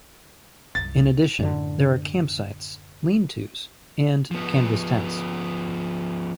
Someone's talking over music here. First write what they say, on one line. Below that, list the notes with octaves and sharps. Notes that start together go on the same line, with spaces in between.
In addition there are campsites, lean-tos, and canvas tents.
C2 F#2 A6
F#2 A2 D3
F3 B3